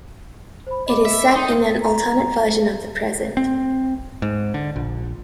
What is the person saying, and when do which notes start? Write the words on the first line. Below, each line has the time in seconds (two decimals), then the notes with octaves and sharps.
It is set in an alternate version of the present.
0.67 C5 B5
0.86 D#5 B5 D6
1.05 E5
1.35 D#4 C6
1.82 A#5
3.37 C4
4.22 G#2
4.54 D3
4.76 A#1